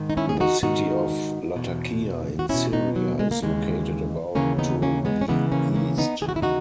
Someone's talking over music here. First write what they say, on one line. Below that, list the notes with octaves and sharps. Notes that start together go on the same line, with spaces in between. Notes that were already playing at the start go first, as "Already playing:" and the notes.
The city of Latakia in Syria is located about to the east.
Already playing: G#2 D#3
D#4
C#4 E4
G#4
D#4 F#4
G#2 D#3 D#4 F#4
E2 B2
F#4
E2 B2 C#4 E4
B3 D#4
F#3
G#3
A#3
D#2 C#3 E3 G#3
D#2 C#3 E3 A#3 C#4
B3 D#4
A#3 C#4
G#3 B3
C#4
D#2 C#3 E3 G#3 B3
A#3 C#4
A#3 C#4
B3 D#4
D#2 C#3 E3 G#4
F#4
E4
D#4 F#4